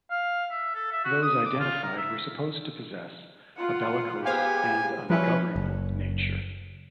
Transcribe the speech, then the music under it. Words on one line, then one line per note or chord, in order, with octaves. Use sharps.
Those identified were supposed to possess a bellicose and ungovernable nature.
F5
E5
A4
E5
F#4
D#6
D6
F4
A#4
E5
F4 F#5
B3 G4 G#4 C5 F5 G#5
F3 G3 C#4 E4 B4
F#1